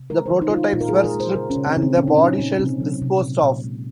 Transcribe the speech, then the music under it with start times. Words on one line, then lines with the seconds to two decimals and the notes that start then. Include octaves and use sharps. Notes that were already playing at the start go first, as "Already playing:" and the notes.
The prototypes were stripped and the bodyshells disposed of.
Already playing: C3
0.10 G#3 A#4
0.26 D#3 C5
0.42 D#4
0.50 F4
0.52 G#3 D#4
0.73 A#2 F4
0.81 A#4
0.89 G#3 G#4
1.04 A#4
1.14 G#3
1.20 C5
1.35 C#3 A#4
1.50 C#4
1.56 C#3
1.67 C4
1.77 C#3
1.82 C4
1.97 A#2 C#4
2.07 D#4
2.18 A#2 C#4
2.39 A#2
2.59 C3 C4
2.81 F#3
3.02 C3
3.22 A#2
3.43 A#2
3.64 G#3